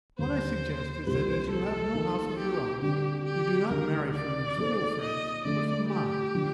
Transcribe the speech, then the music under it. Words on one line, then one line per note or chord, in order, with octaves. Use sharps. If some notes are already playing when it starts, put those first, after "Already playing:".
What I suggest is that, as you have no house of your own, you do not marry from your school friend's, but from mine.
D#2 D3 G3 C5
C2 C3 G3 A#3 F4 C5
A4
D#3 G3 A#3 D#4 A#4
G4
D3 G3 C4 G4
G4
D2 D3 G3 D4 A#4
D5
F3 A#3 D#4 A4 C5
D#5
D3 F3 A3 D4 D5
G4
D3 F3